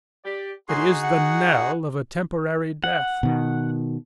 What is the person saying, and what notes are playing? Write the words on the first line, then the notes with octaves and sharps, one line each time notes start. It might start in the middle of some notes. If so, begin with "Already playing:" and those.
It is the knell of a temporary death.
G4 D5
A2 D#4 F#4 G#4 G#5 C6
F#5
F#5
B2 D#3